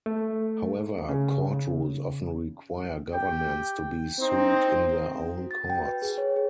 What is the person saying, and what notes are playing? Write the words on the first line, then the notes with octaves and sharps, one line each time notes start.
However, court rules often require governments to be sued in their own courts.
A3
C#3
G4 G5
C4 D#4 C5
F#4
A6
G5
B4
G#4
C#5
G#4